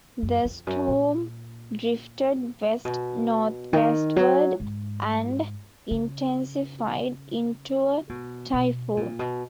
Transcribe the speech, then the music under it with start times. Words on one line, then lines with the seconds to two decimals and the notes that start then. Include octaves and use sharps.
The storm drifted west-northwestward and intensified into a typhoon.
0.22 F#2
0.45 F2
0.67 F#2
0.88 A#2
2.85 B2
3.73 D#3
4.16 F#3
4.60 G#2
5.91 C#3
8.09 B2
8.53 B2
8.97 A#2
9.19 B2